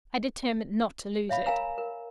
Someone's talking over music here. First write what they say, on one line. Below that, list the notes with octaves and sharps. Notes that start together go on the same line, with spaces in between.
I determined not to lose it.
C#5 E5 F5 B5
A#4 F5 G#5 A#5 E6
A#4